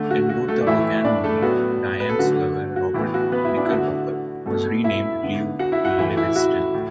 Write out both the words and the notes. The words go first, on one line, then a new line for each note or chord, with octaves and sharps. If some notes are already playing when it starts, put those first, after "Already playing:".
In both the book and movie Diane's lover, Robert Knickerbocker, was renamed Lew Lewiston.
Already playing: D3 A3
F#4
F#4
A3 A4
D5
A2 E3 A3 E4 E5
D4 D5
A3 A4
A2 F#3 B3 F#4
B4
A4
D3 F#3 A3 F#4
F#4
A2 E3 B3 E4
F#4
B3 B4
E4 E5
D4 D5
E4
D3 A3 F#4
B2 A3 B3 A4
E4 E5
D3 B3
F#4 F#5
E4 E5
F#4 F#5
A2 E3 A3 E4 E5
E4
F#4
A2